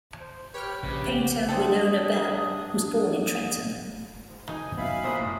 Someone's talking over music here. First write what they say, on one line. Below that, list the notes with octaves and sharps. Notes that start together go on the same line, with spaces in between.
Painter Wenonah Bell was born in Trenton.
C5
G4 B4 C#5 G5 F6
A#1 C#3 G4
D3 C4 D4 A4 D#6
G#2
D#4 G#5
F#2 F#3 B3 E5 F5 G#5 B5
A#1 C5 D#6
A2